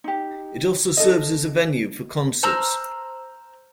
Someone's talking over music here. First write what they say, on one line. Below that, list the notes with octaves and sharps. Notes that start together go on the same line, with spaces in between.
It also serves as a venue for concerts.
D#4 G4
D#4 A4 D#5
C5 A#5 E6 F6